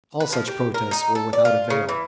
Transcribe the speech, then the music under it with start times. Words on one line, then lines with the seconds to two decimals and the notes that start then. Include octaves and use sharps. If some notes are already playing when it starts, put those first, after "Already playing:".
All such protests were without avail.
0.20 B4
0.33 F3
0.48 G4
0.74 A#4
0.91 D#4
1.15 A4
1.33 D5
1.45 F4
1.70 C#3
1.89 E3